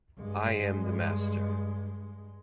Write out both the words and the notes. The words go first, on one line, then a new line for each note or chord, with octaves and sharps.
I am the Master.
G2 G#3